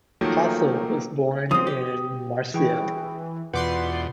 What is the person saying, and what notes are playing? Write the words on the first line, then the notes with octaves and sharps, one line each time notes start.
Possel was born in Marseille.
D#3 F3 F#3 A3 A#3
F3 C4 D#6
G4
E3 G#4 G5 C#6
E2 B2 F4 B4 D5 F#5 C6 G6